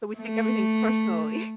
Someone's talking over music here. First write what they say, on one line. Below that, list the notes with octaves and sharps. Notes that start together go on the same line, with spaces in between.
So we take everything personally.
A3